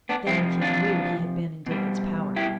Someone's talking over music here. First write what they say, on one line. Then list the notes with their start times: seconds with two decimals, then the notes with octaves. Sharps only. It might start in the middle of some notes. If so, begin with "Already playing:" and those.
Then the king knew he had been in David's power.
0.09 B3 D4
0.26 F2 C3 F3 C4 E4
0.61 D4 F4
1.66 B2 G3
2.36 E4 G4